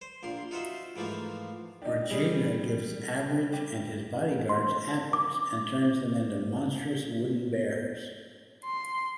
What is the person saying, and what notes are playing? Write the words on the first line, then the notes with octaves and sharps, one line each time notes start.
Regina gives Average and his bodyguards apples and turns them into monstrous wooden bears.
C5
A#1 A#2 C6
D#4 F4 F#4 C5 E5
G#2 E3 F3 A3 A#3
D4 D#4 G4
G3 G#4 D5
G4
C6
D6
C6